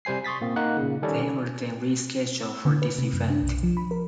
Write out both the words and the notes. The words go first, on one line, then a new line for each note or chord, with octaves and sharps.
They were then rescheduled for this event.
C3 G3 C5 G#5 C7
C6 C#6 D#6 A6 B6
A#2 A#3 C4
A#3 D#4 F#5 F#6
A#2 C#3
D#3 G3 C#4 A4 C#5 D5
E6
D3
B4
C3
F#2
D4
B1
F3
B5
A#4